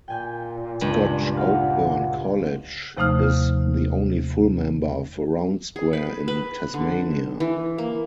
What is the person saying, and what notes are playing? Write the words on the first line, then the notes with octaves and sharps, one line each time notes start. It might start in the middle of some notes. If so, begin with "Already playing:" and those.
Scotch Oakburn College is the only full member of Round Square in Tasmania.
A#2 G5 G#5 G6
C#2 G2 G#3
F5 F#5
D#2 C3 F3 A3 D#4 F6
G#4
B4
B4
D3
E3
A#3